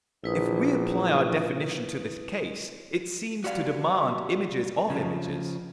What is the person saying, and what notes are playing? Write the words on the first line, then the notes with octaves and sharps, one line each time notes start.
If we apply our definition to this case, it seems to demand images of images.
A#1 E4 B4 D#6
F#4 G4 D5 F5 F#5
C#3 F3